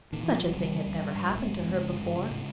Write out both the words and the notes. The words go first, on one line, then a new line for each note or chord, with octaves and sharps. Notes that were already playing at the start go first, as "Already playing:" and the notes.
Such a thing had never happened to her before.
A#2 D#3
A#2 E3
F3
A#1 F#3
G#3
C#3 G3
C#3
D2
G#2
G#2
A#1
A3
G1 G#3
F2
C#3
G1
F#2
C#3
A2